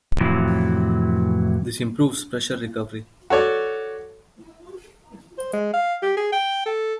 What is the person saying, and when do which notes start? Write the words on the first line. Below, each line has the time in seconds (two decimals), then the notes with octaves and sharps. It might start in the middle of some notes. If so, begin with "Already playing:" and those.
This improves pressure recovery.
0.20 F2 A2 C3 E3 F#3
3.30 F#4 A4 C#5 D5
5.38 C5
5.53 G#3
5.74 F5
6.02 G4
6.17 G#4
6.32 G5
6.66 A4